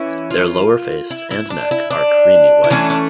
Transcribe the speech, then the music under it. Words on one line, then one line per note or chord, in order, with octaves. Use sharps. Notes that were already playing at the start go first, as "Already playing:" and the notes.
Their lower face and neck are creamy white.
Already playing: E3 C#4 E4
F4
E4
E4
D4
E4
D4
E4
E3 A3 C#4 D4
D4